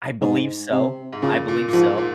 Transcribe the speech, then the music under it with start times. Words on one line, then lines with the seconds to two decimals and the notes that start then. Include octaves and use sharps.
I believe so. I believe so.
0.21 G#2
0.72 C3
1.13 G#2
1.22 A#2 C#3
1.48 A#2
1.68 A#2
1.73 G#2 F3
1.98 A#2